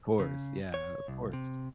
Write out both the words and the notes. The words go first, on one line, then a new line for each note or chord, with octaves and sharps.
Of course. Yeah. Of course.
C#3
C#5
C2
C3